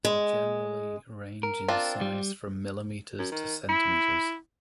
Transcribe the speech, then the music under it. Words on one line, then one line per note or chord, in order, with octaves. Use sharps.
They generally range in size from millimeters to centimeters.
G#3
A#4
C4 D4 F4
G3
F#2
D#3
E4